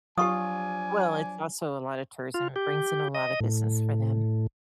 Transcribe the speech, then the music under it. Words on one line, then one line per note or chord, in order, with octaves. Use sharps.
Well, it's also a lotta tourism, it brings in a lot of business for them.
F3 F#3 D4 F4 G4 G#5 C#6 D#6
F4
G4
D#5
A2